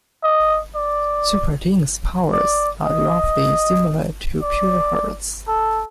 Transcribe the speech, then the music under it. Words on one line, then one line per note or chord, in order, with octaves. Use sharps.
Superteen's powers are roughly similar to Pureheart's.
D#5
D5
D5
D#5
D5
A4